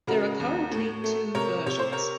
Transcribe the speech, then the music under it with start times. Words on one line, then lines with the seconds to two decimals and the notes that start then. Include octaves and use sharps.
There are currently two versions.
0.07 C#3 F#4 A#4
0.40 D#2
0.72 A2
1.04 A3
1.35 C3 A#4 C#5
1.66 C3 C#5
1.79 C5
1.92 A#4 C#5